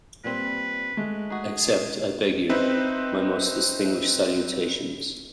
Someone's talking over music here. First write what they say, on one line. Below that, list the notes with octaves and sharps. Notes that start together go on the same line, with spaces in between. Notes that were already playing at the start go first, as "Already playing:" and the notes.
Accept, I beg you, my most distinguished salutations.
A#2 G3 C4 B4
G#3 A3
D#4 F#4 G#4
C4 D#4 B4 E5